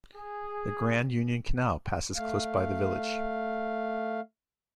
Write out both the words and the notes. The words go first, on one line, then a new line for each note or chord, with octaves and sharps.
The Grand Union Canal passes close by the village.
G#4
A3 F5